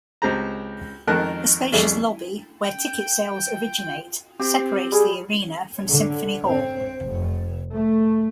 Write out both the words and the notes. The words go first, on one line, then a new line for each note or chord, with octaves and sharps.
A spacious lobby, where ticket sales originate, separates the Arena from Symphony Hall.
C#2 C4 G4 A5 A#5
G#1 F2 D#3 A#4 A5 F#6
C2 F2 A3 G#4 D5 E5
G5
C4 G4
G3 G#4
D3
C4
F1
A3